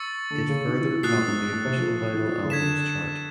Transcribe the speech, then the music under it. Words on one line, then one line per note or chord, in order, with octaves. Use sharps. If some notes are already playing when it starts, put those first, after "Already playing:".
It further topped the Official Vinyl Albums Chart.
Already playing: C#6 E6 A6 C#7
D3
C#3
D#3
E3
E3
A#2 D#6 F#6 A6 C7
A2
G#2
A2
C3
F3
E3
F3
E3
C#3
D3 G#6 B6 E7